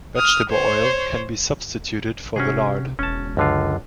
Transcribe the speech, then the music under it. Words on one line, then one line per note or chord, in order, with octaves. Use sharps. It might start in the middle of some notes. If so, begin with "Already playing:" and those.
Vegetable oil can be substituted for the lard.
D#6 F6
C5 C#5
C3 C#4 F#4 G#4
E1 C#4 A5
C#2 F#2 D3 F4